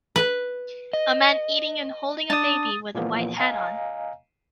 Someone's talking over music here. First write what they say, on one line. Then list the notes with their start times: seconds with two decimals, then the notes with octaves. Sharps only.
A man eating and holding a baby with a white hat on.
0.16 B4
0.93 D#5
2.30 D4 D#6 A6
2.95 A#2 E3 F3 A#3 B3
3.37 D#5 F5 G#5 A#5